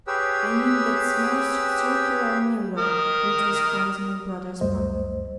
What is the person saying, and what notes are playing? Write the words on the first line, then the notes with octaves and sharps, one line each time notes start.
I mean that small, circular mirror which was found in my brother's pocket.
G4 G#4 B4 C#5 G5 E6
A#4 D#6
C#2 F#2 G3 A3 C5 D#5